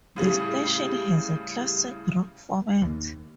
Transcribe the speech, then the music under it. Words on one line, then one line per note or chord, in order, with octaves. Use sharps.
The station has a classic rock format.
A2 C#3 G3
D#2